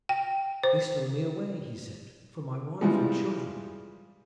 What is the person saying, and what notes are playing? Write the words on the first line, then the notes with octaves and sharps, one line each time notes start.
"They stole me away," he said, "from my wife and children."
G5
C5
E3 F3 G3 G#3